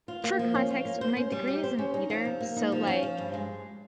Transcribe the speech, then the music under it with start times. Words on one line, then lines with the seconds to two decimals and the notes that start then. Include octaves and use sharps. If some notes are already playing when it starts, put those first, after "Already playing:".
for context, my degree is in theater, so, like,
0.08 F4
0.24 A#3
0.39 F3
0.55 C#4
0.70 F4
0.85 A#3
1.01 C5
1.17 C#4
1.32 G3
1.48 G4
1.63 C5
1.79 C#4
1.94 D#4
2.10 F3
2.25 C3
2.41 A#3
2.57 D#4
2.72 F3
2.87 C#4
3.03 F3
3.18 G2
3.34 G#3